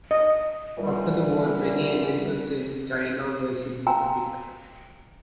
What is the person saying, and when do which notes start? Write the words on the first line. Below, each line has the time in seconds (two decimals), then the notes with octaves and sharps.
After the war, many Americans in China were sympathetic.
0.11 D#5
0.78 A#2 D3 E3 G3
3.87 F5 G5 G#5 A#5 C6 E6